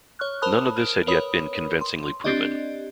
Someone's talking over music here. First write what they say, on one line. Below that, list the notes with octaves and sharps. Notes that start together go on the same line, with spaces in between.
None of this had yet been convincingly proven.
C#5 C#6 F6 F#6
A#4 C5 A5 B5 D#6 F#6
F6 D7
A#4 B4 C#5 B5 D#6
C6
C4 D4 G4 D5 D#5